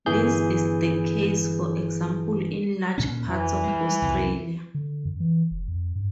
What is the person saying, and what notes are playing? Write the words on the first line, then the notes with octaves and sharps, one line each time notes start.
This is the case, for example, in large parts of Australia.
G1 E3 G#4 G6
D2 A#2 C#4
F2 E3
G3 G#3
C2 F2
D3
F#2
E3
F1
F2
G2